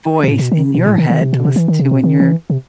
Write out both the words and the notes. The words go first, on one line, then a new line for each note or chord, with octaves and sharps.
voice in your head to listen to when you're
B2
A2
B2
D#3
B2
A2
D#3
D#3
C3
B2
C3
E3
D#3
C3
B2
D#3
E3
C3